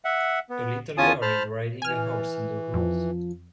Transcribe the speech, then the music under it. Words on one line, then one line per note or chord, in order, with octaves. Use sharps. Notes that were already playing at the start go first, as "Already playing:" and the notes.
A little girl is riding a horse in the woods.
E5 F#5
B3
E2 C#4 F4 G#5 A5 D#6
C5 A5 B5 F6
E3 G#5 F6
F2 F3